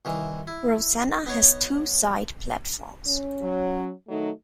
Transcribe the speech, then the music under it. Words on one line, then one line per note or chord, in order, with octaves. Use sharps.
Rosanna has two side platforms.
C2 D#3 E3
E4
B3 D#4 C#5
C#4
F#3
D#3 F#3 A3 D#4